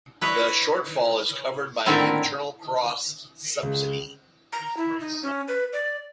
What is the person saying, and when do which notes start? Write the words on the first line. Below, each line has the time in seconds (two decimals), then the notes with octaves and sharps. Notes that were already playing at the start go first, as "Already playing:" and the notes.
The shortfall is covered by an internal cross subsidy.
0.21 E4 B4 C#5 D#5
1.86 A2 D3 D#3 C4 E4 A#4
3.63 C#2
4.52 A#5
4.77 E4
5.00 D#4
5.23 C#4
5.48 B4
5.73 D5